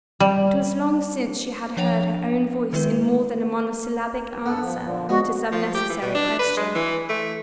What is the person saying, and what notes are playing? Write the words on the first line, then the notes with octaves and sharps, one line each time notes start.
It was long since she had heard her own voice in more than a monosyllabic answer to some necessary question.
G3
F3 D4 C#5 F#5 G5 F7
D#3 G#3 E4 B4
G2 B3 A4 F#5
F3
A#2 D3 F3
G#3 B3 F#4
F3
G4
E3
B2
D4
B4
G#3
E3
A3